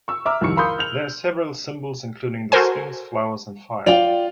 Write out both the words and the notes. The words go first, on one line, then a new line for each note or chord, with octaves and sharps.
There are several symbols, including the Sphinx, flowers, and fire.
C#6 E6
E5 A#5 D6 E6 F6
C2 F2 D#3 G3 C#6 C#7
A#4 F5 B5 C6 D#6 G6
F6 G6 F7 F#7
F#4 A4 A#4 C5 G#5
F4 D5 G5 F7